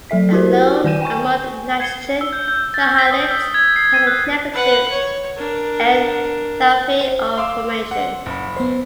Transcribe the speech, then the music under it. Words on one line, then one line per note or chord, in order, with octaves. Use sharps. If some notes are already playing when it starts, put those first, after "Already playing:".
Alone among the nitrogen trihalides it has a negative enthalpy of formation.
F#3 A4 E5 B6
E4 F#4 G4 A#4 C5
D#3 D5 G#5 G6 D#7 E7
G5 G#5 C#6
G#6 C7 C#7 G7
E6
G6
G6
A6
B6
D#6
E6
G#6
C7
D#7
F#6
B4 F#5
C#5
D4 A#4
C5
F5 C6 D6 E6
F#5
F#1 B5
B3 C5